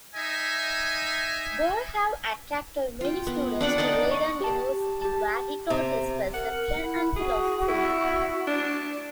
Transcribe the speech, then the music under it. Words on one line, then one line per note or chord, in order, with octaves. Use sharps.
Boerhaave attracted many students to Leiden University, where he taught his perception and philosophy.
D#4 D#5 E5 G#5
F4 G5
B3
D4 D5 F#5 G5
D#4 D5 D#5 A5
C#6
G4 A5
G4 A5
C3
A#4 F#5
E4
F#4 G#4
E4
D4